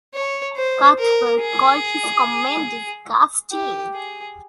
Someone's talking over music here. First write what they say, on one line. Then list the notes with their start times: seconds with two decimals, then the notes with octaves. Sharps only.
Cuthbert called his comment "disgusting".
0.14 C#5
0.57 C5
0.99 A#4
1.41 G#4
3.52 G4
3.94 G#4